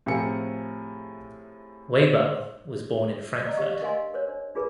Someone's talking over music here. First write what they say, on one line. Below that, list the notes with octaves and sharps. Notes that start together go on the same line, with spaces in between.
Waibel was born in Frankfurt.
A2 C3 F3 G#4 A#4 C#7
D5 D#5 A#5 E6
G4 F5 C#6
D4 A#4 D#5 F5 G#5 C6
A#4 C5 C#5
D4
D4 F4 G#4 A#4 B4